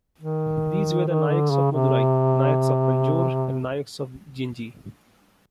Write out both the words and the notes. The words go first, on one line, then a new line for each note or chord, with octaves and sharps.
These were the Nayaks of Madurai, Nayaks of Tanjore and Nayaks of Gingee.
D#3
D#3
D3
C#3
C3